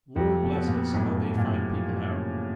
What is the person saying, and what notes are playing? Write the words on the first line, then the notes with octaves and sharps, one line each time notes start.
Lord bless us, how they find people out!
F2 C3
B2
B3
A#2
F#2 A2
F#2
A#2
A2
F3
C#3